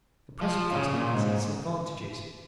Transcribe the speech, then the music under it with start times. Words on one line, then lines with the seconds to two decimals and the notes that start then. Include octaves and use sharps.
The present custom has its advantages.
0.41 F3
0.72 C#3
0.93 A#2
1.14 G#2